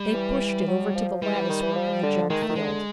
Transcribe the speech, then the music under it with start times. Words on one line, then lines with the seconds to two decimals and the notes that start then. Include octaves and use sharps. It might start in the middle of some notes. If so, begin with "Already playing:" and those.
They pushed it over to the latticework of the jump-field.
Already playing: G3
0.14 E3
0.67 F#3
0.95 F3
1.22 E3 G3
1.35 E3
1.49 D#3
1.62 E3
1.76 F3
2.03 D3
2.30 D#3 G#3
2.43 A3
2.49 D#3
2.55 D3 G#3